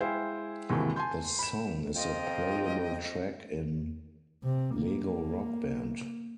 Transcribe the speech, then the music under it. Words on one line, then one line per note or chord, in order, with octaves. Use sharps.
The song is a playable track in "Lego Rock Band".
G#3 E4 C5 F5 G5 G#5
G#1 D#2 C3 E3 G#3
G#5 A5 C6 G6
B5 E7
F2 F4 D#5 G5
C3
A#3